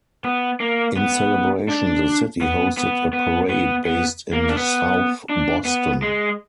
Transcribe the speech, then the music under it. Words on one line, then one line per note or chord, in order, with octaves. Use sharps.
In celebration, the city hosted a parade based in South Boston.
B3
A#3
B3
D4
B3
B3
B3
B3
B3
A#3
D4
B3
D4
B3
G#3